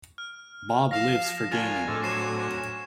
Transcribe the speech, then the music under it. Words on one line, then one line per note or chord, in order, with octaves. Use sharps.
Bob lives for gaming.
F6
F3 F5 A#6 C7 E7
D2 A#2 F4 G#5 F6 G#6
D2 A2 G#3 C4 D4 A4
F#3 C#6 C7 E7